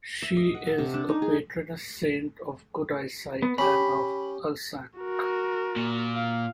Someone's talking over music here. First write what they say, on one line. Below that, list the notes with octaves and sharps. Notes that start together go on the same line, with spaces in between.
She is a patroness saint of good eyesight, and of Alsace.
E5
D#5
F#5
A4
C3
D4
D#4
G#4
B3
C#4 G4 B5
F#4 A#4
A#2
F5